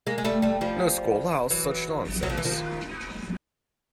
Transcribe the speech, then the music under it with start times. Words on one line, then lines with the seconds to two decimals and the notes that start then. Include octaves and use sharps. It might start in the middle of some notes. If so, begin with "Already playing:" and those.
No school allows such nonsense!
0.07 G#3 A#3
0.18 G#3
0.24 G3 A3
0.42 G3 A3
0.61 F3 G3
1.50 E3 F#3
2.23 F#3
2.30 F3
2.37 E3
2.44 D#3 F3